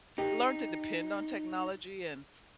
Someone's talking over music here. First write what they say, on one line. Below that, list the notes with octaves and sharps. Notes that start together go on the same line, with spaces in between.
learn to depend on technology. And,
D#4 G4